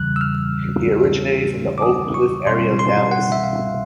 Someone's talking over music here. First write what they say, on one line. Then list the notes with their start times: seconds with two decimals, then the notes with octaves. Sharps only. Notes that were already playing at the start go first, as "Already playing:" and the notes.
He originated from the Oak Cliff area of Dallas.
Already playing: E2 C#3 E3 G3 F#6
0.16 E6
0.21 F6
1.78 D6
1.82 D#6
2.14 C#6
2.47 B2 G3 C4 C6
2.79 C6
3.11 F#5
3.32 E5
3.44 F5